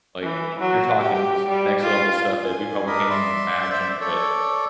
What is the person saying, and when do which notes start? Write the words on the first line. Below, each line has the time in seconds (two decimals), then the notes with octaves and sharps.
like, y you're talking just next level stuff that we probably can't even imagine. But
0.22 E3
0.60 F#3
1.00 G4
1.48 G3
1.81 F4
2.44 G#5
2.87 D4 A#4 D#5 B5
3.10 D5 E5 C6
3.70 C5 D5 E5
4.00 A4 C#5 D5